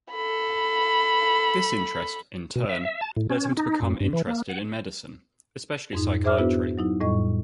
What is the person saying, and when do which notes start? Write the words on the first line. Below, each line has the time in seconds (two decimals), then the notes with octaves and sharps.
This interest, in turn, led him to become interested in medicine, especially psychiatry.
0.12 A4 B5
2.56 B2
2.69 E5
2.85 E5
3.01 A5
3.17 A2
3.30 C#4
3.57 D#4
3.82 F#2
4.01 G2
4.13 E3
4.27 A#3
4.49 F#5
5.93 F2 G#2 D#4
6.24 G#4 C5 E5 D6 F6
6.38 B3 D4 E4 F#4 B4
6.78 F#3 D#4 E4
7.00 F2 A2 G3 D#5 C#6